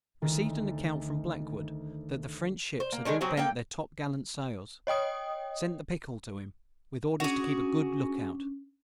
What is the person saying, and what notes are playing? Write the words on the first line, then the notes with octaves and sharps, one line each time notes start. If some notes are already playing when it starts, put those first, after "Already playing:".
Received an account from BLACKWOOD, that the French ships had all bent their top-gallant-sails. Sent the Pickle to him, with orders to keep a good look-out.
D2 D#3
C5
A#3
D3 D#3 G#3 G#5
F#3 C4 G#4 C5
A#3 A4 G5
C#5 D#5 G5 D#6
C#4 D4 F#4 G#4